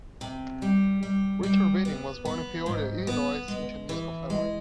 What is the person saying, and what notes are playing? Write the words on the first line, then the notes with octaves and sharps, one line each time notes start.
Richard Whiting was born in Peoria, Illinois, into a musical family.
C3
G3
G3
G3
B3
B3
G#2
B3
G#3
E3
G#3